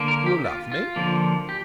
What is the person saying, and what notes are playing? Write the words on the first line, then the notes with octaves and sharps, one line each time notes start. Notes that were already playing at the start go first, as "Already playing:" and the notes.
"You love me?"
Already playing: D3 A#3
A#4
G4
F4
F4
D3 F3 A#3
G4